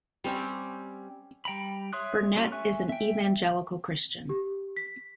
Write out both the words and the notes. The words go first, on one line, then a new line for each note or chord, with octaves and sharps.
Burnett is an Evangelical Christian.
G3 C4 C#4 G4
G3 G5 A#5 B5
C#5 E5 C6 D#6 F#6
G3 A3 C#4 F4
E5 G#5 C#6 F#6
E5 G5
G4
B6